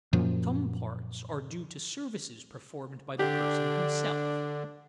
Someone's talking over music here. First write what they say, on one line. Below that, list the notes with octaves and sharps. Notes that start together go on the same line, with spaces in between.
Some parts are due to services performed by the person himself.
F#2 A#2 F3
D3 D4 G4